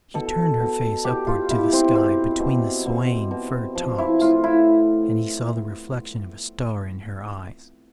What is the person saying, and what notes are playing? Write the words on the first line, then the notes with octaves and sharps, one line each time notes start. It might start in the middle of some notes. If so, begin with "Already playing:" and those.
She turned her face upward to the sky between the swaying fir tops and he saw the reflection of a star in her eyes.
B2 A4
B2
B2 G4
F4
B2 E4
C4
B2 C4
B2
B2
B2
F3
E4
A2 F4
E4